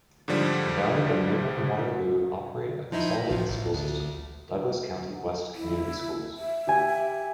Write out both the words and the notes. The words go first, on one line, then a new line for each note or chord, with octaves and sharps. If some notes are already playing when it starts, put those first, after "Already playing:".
Valley and neighboring Waterloo operate a consolidated school system, Douglas County West Community Schools.
G#2 D3 F3 G3
F3 D#4 E4
A1 F3
A1
D2
E4
E5
G4 G#5